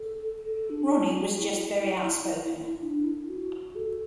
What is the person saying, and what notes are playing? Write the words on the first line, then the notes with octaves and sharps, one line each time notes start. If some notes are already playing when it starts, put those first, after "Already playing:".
Ronnie was just very outspoken.
Already playing: A4
A4
D4
E4
F#4
E4
D4
E4
F#4
A4